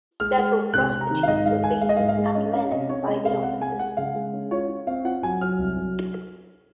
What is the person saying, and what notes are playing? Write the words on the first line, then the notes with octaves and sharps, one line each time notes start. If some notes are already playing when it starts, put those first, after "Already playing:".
Several prostitutes were beaten and menaced by the officers.
G#3 F6
G#3
G#3
C3 F#6
C3
A#5
D#3
F5
G#2 D#5
G#2 F5
G#2 G#5
G#3 F5
D#5
G#2 F5
F5
G#3
C#4 D#5
C#4 F5
C3 D#5
C#4 C#5
G#3 D#5
C3 F5
G#3 F#5
G#3 G#5
G#3 F#5
C#3 F5
G#3
C#4
F4 C#5
F4
C4 F5
F4 F#5
F#3 G#5
F#3 F6
C2
F#3